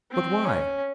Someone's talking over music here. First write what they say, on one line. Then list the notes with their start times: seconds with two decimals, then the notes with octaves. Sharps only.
"But why?"
0.11 C4
0.45 C#4